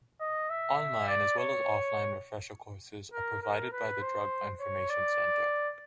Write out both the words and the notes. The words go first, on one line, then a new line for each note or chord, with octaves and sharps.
Online as well as offline refresher courses are provided by the Drug Information Center.
D#5
E5
D5
C#5
A#4
A#4
B4
C5
C#5
D5